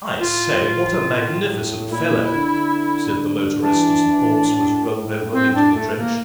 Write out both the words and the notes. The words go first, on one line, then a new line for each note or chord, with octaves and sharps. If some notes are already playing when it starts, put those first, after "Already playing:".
'I say, what a magnificent fellow,' said the motorist as the corpse was rolled over into the trench.
A2 F4
A#2 E4
D3
E3 D4
E3
A2
C4
D4
A3
A#3